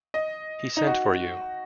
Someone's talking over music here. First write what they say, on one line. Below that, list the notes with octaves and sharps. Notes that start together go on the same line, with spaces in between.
He sent for you.
D#5
D#4
F#4